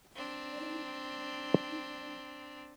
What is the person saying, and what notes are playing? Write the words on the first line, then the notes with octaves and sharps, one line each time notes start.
Pant mostly wrote in Sanskritized Hindi.
C4 D4